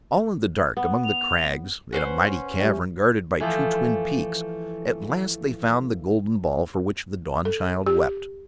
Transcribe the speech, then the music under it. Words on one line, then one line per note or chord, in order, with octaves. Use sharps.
All in the dark among the crags in a mighty cavern, guarded by two twin peaks, at last they found the golden ball for which the Dawnchild wept.
B3
F7
C#4 B4 C5 F#5
G3 G4 E5
E3 F3 A3
A4
G4